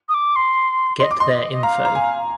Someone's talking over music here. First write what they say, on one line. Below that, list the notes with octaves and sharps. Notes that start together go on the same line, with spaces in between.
Get their info.
D#6
D6
C6
D#5 C6
D6
D#5 C6
D#5
F5 A#5
A#5
G#5